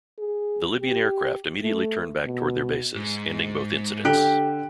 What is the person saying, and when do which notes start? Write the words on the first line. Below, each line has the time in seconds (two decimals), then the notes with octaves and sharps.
The Libyan aircraft immediately turned back toward their bases, ending both incidents.
0.19 G#4
0.81 G4
1.63 A3
2.25 B2
2.95 G#2
4.05 D3 G4 F#6 D7